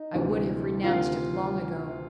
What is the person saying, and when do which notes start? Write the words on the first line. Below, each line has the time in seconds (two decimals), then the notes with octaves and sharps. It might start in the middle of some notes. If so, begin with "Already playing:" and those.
I would have renounced it long ago.
Already playing: D#4
0.14 D2 C3 E3
0.84 D2 C3 D#3 F4 F5